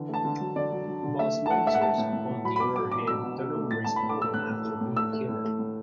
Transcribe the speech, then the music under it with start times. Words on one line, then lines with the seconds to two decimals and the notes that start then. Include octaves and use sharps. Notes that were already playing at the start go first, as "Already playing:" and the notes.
Boss monsters, on the other hand, do not respawn after being killed.
Already playing: D3 E3
0.09 A3 A5
0.25 D3
0.41 F#3
0.56 D3 D5
0.72 F#3
0.87 F#3
1.03 D3
1.19 A3 E5
1.35 A3
1.46 A5
1.50 A3 F#5
1.66 A3 E5
1.74 F#5
1.81 A3 A5
1.98 A2
2.13 A2
2.29 A2
2.44 F#3 B5
2.56 B5
2.60 B2 D6
2.76 F#3 D6
2.92 B2 D6
3.07 B2 E6
3.23 B2
3.39 B2
3.55 A3
3.71 A2 A6
3.84 A2 A5
3.96 B5
4.03 A2
4.09 D6
4.18 A3 E6
4.34 A2 F#6
4.49 A2
4.65 A3
4.81 A2
4.97 A3 E6
5.13 A3
5.29 A2
5.44 A3
5.59 A2